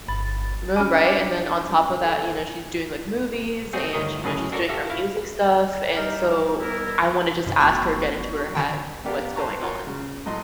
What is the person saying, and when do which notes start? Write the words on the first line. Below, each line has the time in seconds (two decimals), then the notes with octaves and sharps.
No, right, and then on top of that, you know, she's doing, like, movies, and, you know, she's doing her music stuff, and so I wanna just ask her, get into her head, what's going on.
0.08 G1 B5 A6
0.76 C#4 D4 G#5 B5 D6 F6
1.99 A4
3.73 A3 C4 F#4 G#4
3.93 G1 D2 D#3 A#4 C#5 D#5
4.24 F#2 A2 C#3 F#3 G#4
4.52 D4 F#4 A4 A#4 C#5 D5
4.69 F#4 G4 A4 E5 F5
4.90 E4 F5
5.97 G3 D#4 A#4 D5 E7
6.60 B3 E4 A#4
7.46 F#2 B2 D#3 E4 F#4
7.60 G1 A3 B3 C#6
8.55 D3 D#3 G5 G#5 A#5
9.05 B3 D4 G4 A#4 D5 F5
9.36 B4 C5 A5 A#5 C#6
9.62 F4 F#4 A#4 C#5
9.87 C#3
10.26 A2 F#3 D#5 C6